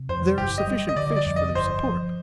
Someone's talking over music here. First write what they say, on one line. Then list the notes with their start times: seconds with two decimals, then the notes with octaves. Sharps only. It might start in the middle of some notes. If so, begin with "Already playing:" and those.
There are sufficient fish for their support.
Already playing: C3
0.09 F2 C5
0.38 G1 G4
0.58 D#5
0.67 G3
0.89 D#5
0.96 D3 D5
1.16 D5
1.26 F2
1.36 D#5
1.55 G1 C5
1.85 F3